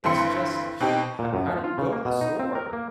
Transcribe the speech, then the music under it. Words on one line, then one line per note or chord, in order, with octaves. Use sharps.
it's just ja how how do you go to the store?
G1 G2 E3 C4 C6 C#7
B2 C4 D#4 G4
A#2
F#2
F3
F4
C#3
A#3
B2
D#4
C4
A#4
A#3